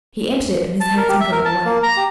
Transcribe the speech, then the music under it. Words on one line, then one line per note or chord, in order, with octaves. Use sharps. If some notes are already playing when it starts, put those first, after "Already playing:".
He entered it, and his hansom drove away.
A5
A#4
G4
E5
A#4
A5
A#3
A#5
G4